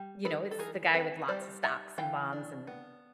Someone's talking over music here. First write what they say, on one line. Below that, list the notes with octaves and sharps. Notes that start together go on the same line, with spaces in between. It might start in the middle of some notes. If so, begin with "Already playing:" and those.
you know, it's the guy with lots of stocks and bonds and
Already playing: G3
D#4 A4 B4
A4
E3 G#4 A#4
A#4
C4 A4 B4
G3 C5 D5
D#4 E5 F#5
E3 F5 G5
D4
B3